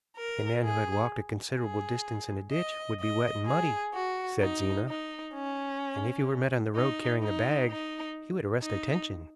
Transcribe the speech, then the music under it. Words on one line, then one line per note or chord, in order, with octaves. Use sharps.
"A man who had walked a considerable distance in a ditch would be wet and muddy," said Zena, "and if he were met on the road carrying a bag he would arrest attention."
A#4
G#4
G#4
D#5
D#5
G#4
F#4
D#4
D#4
C#4
D#4
D#4
D#4
D#4